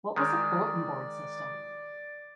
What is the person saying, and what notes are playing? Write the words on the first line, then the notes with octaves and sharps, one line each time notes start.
What was a "Bulletin Board System"?
D#3 G#3 D5